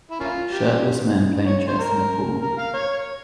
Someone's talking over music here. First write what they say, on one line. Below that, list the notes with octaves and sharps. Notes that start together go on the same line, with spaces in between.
Shirtless men playing chess in a pool.
E4
A#3 C#4 F4
G4
C#5
C#5
C5
A#4
A#4
F5
C#5